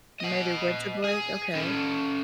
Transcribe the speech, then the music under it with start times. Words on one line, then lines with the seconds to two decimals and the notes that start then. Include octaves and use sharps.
Maybe winter break, okay.
0.20 D#5 F#5
1.04 G#4
1.55 C#4 A4